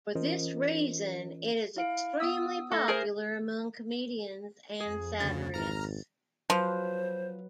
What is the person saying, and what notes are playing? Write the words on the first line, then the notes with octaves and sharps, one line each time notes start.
For this reason, it is extremely popular among comedians and satirists.
E3 C#4 F4 A#4 C5 D#5
E4 F5 D7
B3 D#6 E6
A3 A4 A#6
G#4 A#4 C5 G#5
F2 G#4
D2 C#3 A6
G#1 A#5 F6
F3 F#3 B4 C5